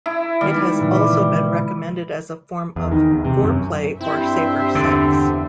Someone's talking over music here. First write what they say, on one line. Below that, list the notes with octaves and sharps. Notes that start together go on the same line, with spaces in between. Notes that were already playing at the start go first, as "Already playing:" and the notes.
It has also been recommended as a form of foreplay or safer sex.
E4
D#3 G3 G#3 B3
A#2 C#3 E3
E2
D#3
E2
C3
F#2
G2 C4 E4 C5 E5
E2 D3